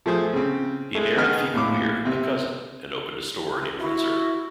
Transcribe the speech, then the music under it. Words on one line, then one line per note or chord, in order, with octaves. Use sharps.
He married Phoebe Wier, a cousin, and opened a store near Windsor.
F3 A3 G#4 C5
C#3 C4
G#3 A3
D#3 B3 G#4 D#5 F6
A#1 A2 D6
C3 C4
E4 F#4